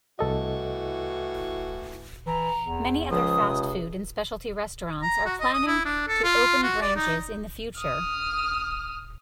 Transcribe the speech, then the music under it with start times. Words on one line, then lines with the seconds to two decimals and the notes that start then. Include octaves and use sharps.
Many other fastfood and specialty restaurants are planning to open branches in the future.
0.19 C2 A2 E3 F#4 A4 D#5
2.27 E3 A#5
2.65 E2
3.11 C#2 F3 D#6
3.40 C3
5.02 A#5
5.26 F#4
5.40 D#5
5.54 D#6
5.67 E4
5.85 D4
6.08 A4
6.24 F4
6.63 F#4
6.82 D5
6.96 D#4
7.79 D#6 F6